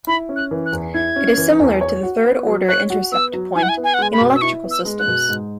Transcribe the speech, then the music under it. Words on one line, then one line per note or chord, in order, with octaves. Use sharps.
It is similar to the third-order intercept point in electrical systems.
E4 B5
C#4
F#6
E3
F#6
E2
E4 G#6
C#4
E3
E2
C#5
F#4
B3
F#3
C#5 F#6
F#4
B3 E6
F#3
E4 G#5
F#5
G#5
B3
G#5
F#5
G#3 G#5
B5
B2
E6
E4 C#6
B3
E6
G#3
F#6
B2
G#2